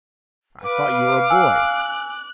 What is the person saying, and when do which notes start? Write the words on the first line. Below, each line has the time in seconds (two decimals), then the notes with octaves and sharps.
"I thought you were a boy."
0.64 B4 F5 D6
1.30 G#5 E6 F#6